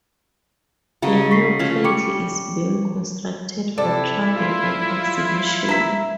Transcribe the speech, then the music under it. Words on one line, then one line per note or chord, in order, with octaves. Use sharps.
A new cradle is being constructed for travel and exhibition.
C#3 F#3 D#5
C#6 B6 C7
F3 C#4
G3 C#6 D6 C#7
C3 E4 A4 D5
F#3 F4
E5 A#5 B6